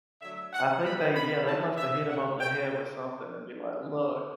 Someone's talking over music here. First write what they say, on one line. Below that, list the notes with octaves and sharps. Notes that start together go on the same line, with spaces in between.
I think they yeah, they must have hit them over the head with something and be like, "Look."
D3 F#3 A3 E5
F#5
A2 F#3 B3 D4 B5
B5
C#3 E3 G3 A5
E5
B2 A3 C#4 F#5
G5